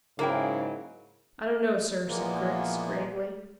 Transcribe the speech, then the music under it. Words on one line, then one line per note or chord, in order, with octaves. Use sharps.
"I don't know, sir," said Griggs gravely.
G#2 C#3 F#3 A#3 E4 G5
A#2 E3 F3 G#3 A#3 B3